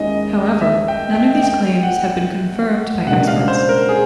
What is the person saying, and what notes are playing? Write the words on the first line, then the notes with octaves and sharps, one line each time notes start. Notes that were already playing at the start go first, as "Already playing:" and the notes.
However, none of these claims have been confirmed by experts.
Already playing: D#2 D#3 G#3 C#4 E4 D#5
E5
G5
G5
G5
F#5
C#2 B2 G3 A#3 D4 F#5
F5
C5
A#4
G#4